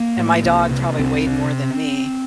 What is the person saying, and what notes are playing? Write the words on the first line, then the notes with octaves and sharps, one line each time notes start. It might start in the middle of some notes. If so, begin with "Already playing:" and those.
and my dog probably weighed more than me,
Already playing: A#3
A2
C2
C3
C2 C4
C3